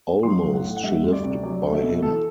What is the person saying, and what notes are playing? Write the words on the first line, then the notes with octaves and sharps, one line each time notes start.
Almost she lived by him.
F#3 C6
B1
F#5
A2
F#5
G3 E5
D2
D5
C3
F#3 D5
A3
E5
B2
E3 A4